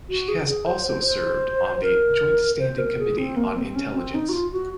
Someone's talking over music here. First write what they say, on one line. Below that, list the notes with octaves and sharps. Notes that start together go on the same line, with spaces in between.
She has also served on the Joint Standing Committee on Intelligence.
F#4
G#4
G#4
C5
C5
C5
A#4
C5
A#4
G#4
C4
A#3
C4
C#4
C4
D#4
F#4
F4
F#4